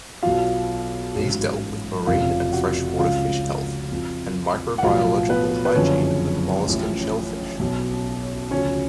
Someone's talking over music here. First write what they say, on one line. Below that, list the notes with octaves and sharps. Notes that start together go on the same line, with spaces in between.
These dealt with marine and freshwater fish health, and microbiological hygiene of molluscan shellfish.
B1 B2 F#3 F4 F5
A1 G#2 F#3
F1 F2 C#3 F4 F5
F#4 F#5
C#2 C#3 F3 F4 F5
F2 F3
F#5
B1 A2 F3 F4 F5
B3 B4
B4
F#1 F2 D3 F3 C#4 C#5
A1 A2 F3
B1 B2 F#3
D2 C#3 F3 C#4 C#5